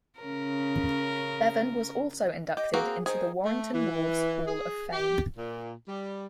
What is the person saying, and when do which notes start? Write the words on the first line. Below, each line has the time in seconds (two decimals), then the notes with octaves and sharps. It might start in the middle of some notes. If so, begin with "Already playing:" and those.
Bevan was also inducted into the Warrington Wolves Hall of Fame.
0.19 C#3 C#4 A#4
2.57 G4 D#5
2.74 A#3 C4 F#4 G#4
3.06 D#3 G#4 C5
3.44 A3
3.73 E3
4.46 G#4
4.91 G4
5.36 A#2
5.87 G3